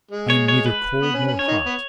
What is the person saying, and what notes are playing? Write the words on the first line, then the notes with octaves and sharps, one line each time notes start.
I am neither cold nor hot.
G#3
C#5
C#5
B4
B3
C#4
C#4
C#4 C#5
D#3 D#4
B3